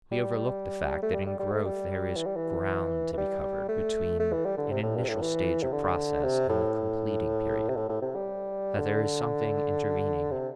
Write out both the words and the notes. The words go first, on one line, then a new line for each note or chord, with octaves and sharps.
We overlook the fact that in growth there is ground to be covered between an initial stage of process and the completing period; that there is something intervening.
G3
A3
G3
G3
G3
A3
G3
E3
G3
E3
E3
G3
A3
A3
E3
G3
D3
C3
A2
G2
C3
A2
E3
C3
D3
C3
A2
C3
A2
A2
C3
G3
D3
C3